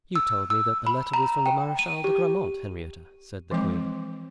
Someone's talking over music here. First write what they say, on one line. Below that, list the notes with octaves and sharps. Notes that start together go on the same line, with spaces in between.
"You told me that the letter was from the Marechal de Grammont, Henrietta!" said the queen.
E6
E6
B5
A#5
G5
D#7
G4
E3 F3 G#3 C4 D6